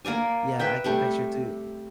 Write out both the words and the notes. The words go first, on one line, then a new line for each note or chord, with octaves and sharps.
Yeah, I can picture it, too
A#3 A#4 D5 G#5
B4 E5 G5
C3 G3 A3